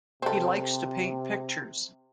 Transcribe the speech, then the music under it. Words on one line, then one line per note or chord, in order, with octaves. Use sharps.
He likes to paint pictures.
C3 C4 A4